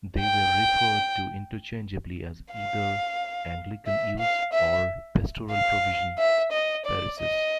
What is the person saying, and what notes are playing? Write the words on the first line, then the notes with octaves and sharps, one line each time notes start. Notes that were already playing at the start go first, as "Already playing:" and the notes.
They were referred to interchangeably as either "Anglican Use" or "Pastoral Provision" parishes.
G5
F5
E5
F5
E5
F5
E5
D#5
D5
D#5